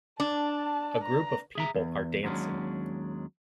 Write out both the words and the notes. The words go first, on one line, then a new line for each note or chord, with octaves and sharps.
A group of people are dancing.
D4 A5
A#5
G#4 E5 A#5
E2
D#2 F#3 G#3 C#4 D4